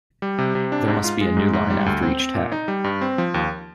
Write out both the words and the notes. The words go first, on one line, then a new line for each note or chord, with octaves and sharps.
There must be a newline after each tag.
G3
C3
C3
D4
G#2
F4
G#3
G#2
G#2
G3
D2
C4
C4
A#2
D#4
G3
G2
C4
F3
D#2